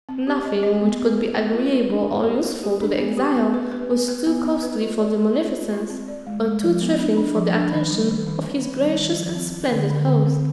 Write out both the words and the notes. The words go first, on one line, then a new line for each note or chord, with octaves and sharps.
Nothing, which could be agreeable or useful to the exile was too costly for the munificence, or too trifling for the attention, of his gracious and splendid host.
C4
G4
D#5
D#5
B3
B3
B4
B3
F4
F4
D4
B3
G4
C5
G4
D4
B3
G4
B3
B4
B4
B3
B4
B3
B3
B4
F4
D5
G#4
F4
F4
F4
C4
D5
G#3
G#3
F3
B3
D4
D4
F3
D4
D#3
G3
D#3
D#3
D#3
D#3
G3
D#3
F3
C4
C4
D3
D3
D3
C4